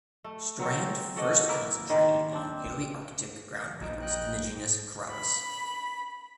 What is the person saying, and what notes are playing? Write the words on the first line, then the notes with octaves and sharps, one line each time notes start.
Strand first concentrated on Palearctic ground beetles in the genus "Carabus".
A3
F#3 C4
F#4 A4 D5 D#5
A#3 E4 A#4
D#3 G#3 D5
C4 D4
A#1 F2 G#2 D#4
D#5 G5 F#6
B5